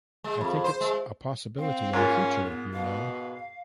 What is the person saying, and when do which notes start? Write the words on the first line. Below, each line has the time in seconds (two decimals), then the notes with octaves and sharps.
I think it's a possibility in the future, you know.
0.24 G#3
0.41 F2
0.64 C5
0.81 G#3
1.59 C4 F5
1.93 G#2 A#3 C#4 F4
2.44 B3
2.73 B2 F5